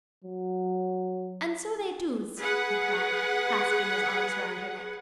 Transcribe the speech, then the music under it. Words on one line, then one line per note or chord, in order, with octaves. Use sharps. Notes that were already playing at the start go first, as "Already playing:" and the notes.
"And so they doos!" he cried, clasping his arms round her neck.
F#3
G#4 B4 F#5